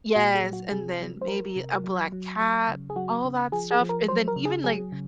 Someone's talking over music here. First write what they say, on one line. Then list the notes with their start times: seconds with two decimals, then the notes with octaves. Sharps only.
Yes. And then maybe a black cat, all that stuff. And then even, like,
0.15 A#2 F#4
0.35 G#4
0.44 F#3
0.53 F#4
0.71 C3 G#4
1.00 F#3
1.21 C5
1.28 F#3 A#4
1.56 C3
1.84 F#3
2.12 F#3
2.40 F#3
2.68 C#3
2.90 G#4
2.96 F#3 F#4
3.25 C#3
3.52 F3 G#4
3.71 G#4
3.81 F3
3.89 A#4
4.08 F#3 C5
4.28 A#4
4.36 C#3
4.45 G#4
4.64 F#3 G#4
4.92 C#3